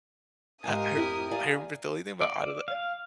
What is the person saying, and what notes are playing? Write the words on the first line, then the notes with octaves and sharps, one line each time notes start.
uh, I r I remember the only thing about Out of the
G#2 G4 A#4 F5 G#5 D#6
F2 E4
D5 F5 G#5
D5
F5